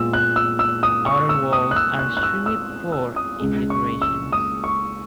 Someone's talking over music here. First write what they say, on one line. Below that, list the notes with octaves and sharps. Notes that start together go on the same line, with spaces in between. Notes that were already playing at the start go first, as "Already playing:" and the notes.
Outer walls are extremely poor in decoration.
Already playing: A#2 G#3 B3 E6
F#6
E6
E6
D#6
C#6
E6
D#6
F#6
E6
F#6
F#6
E6
E6
E6
D#6
C#2 C#3 G#3
C#6
E6
D#6
C#6